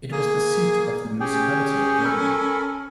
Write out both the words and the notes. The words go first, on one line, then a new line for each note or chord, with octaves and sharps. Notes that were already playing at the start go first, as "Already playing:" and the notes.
It was the seat of the municipality of Vermio.
A#3 G#4
C#4 G4 G#4 G5
A4 A#4 B5